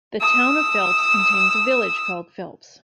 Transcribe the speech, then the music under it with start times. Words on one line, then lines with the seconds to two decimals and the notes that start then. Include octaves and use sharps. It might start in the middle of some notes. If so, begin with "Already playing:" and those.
The Town of Phelps contains a village called Phelps.
0.20 D#6 E6